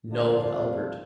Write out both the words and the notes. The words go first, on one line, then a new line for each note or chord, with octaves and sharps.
No, Halbert!
D2 D3 F3 D4 F4
F2 C3 F3